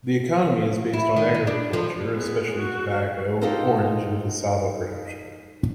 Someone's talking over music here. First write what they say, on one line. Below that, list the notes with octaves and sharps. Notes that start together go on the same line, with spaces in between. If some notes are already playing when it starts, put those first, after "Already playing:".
The economy is based on agriculture, especially tobacco, orange and cassava production.
E4
D#3
D#4
D4
F3
G#3 B3
F#4
D#4 F4 G4 A4 A#4 C5